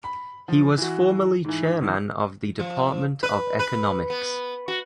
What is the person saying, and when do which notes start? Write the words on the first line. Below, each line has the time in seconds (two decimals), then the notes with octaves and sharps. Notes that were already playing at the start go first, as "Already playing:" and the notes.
He was formerly chairman of the department of economics.
0.04 B5
0.48 F3
0.78 E3 F#4
1.44 G#2 E3
1.81 G1 E2
2.59 F3
3.23 B4
3.59 B4
4.10 B3
4.68 F#4